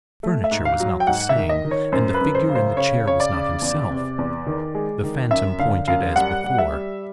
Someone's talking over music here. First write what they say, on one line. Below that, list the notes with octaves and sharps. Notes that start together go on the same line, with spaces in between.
The furniture was not the same, and the figure in the chair was not himself. The Phantom pointed as before.
A3
E5
G#2
F5
F#3
G5
G#2 F#5
E5
D#3
D#5
D#3
C#5
F#2 C5
B4
F#2
C5
C#3
C5
C#3 C#5
C#3 C#5
D5
C#3
E2
C3
E2
D#3
G#3
D#3
F#2 E5
D3 F5
F#2 F5
G3 F#5
G3
E5
G3